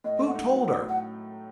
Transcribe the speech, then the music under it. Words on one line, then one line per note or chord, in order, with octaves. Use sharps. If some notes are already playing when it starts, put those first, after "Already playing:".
"Who told her?"
A2 D#5
A3
F#5
D#4
F#3
F#3
A2
F#5